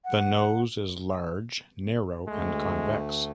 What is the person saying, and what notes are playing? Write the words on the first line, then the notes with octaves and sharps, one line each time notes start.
The nose is large, narrow and convex.
F#5
D2 G#3 A3